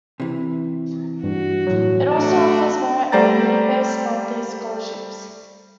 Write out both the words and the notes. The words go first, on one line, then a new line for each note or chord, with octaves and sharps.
It also offers merit and need-based monthly scholarships.
C3 E3
G2 F#4
A2 F#3
A3 D4 F#4 A5
G3 A3 C5 D5 A#5 A6